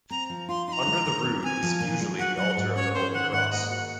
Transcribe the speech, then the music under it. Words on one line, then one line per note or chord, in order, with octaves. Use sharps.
Under the rood is usually the altar of the Holy Cross.
C4 A#5
F3
F4 C6
D#4 A#5 C6
G#3
D#3
C4
C4 G#5
F3
A#2
G#3
F#4 F#5
F#3 F#5
G#2
C#4 C#5
C#4 C5
D#3 F#5
G#2 F#5
A#3 D#5
F#4 F#5